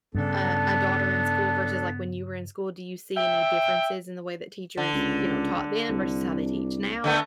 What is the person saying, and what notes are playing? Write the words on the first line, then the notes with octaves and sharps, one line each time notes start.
a a daughter in school versus, like, when you were in school, do you see any differences in the way that teachers, you know, taught then versus how they teach now?
G2 C#3 B3 D4 A4
E5 G5
D3
C#2
C2
D3 A3 B3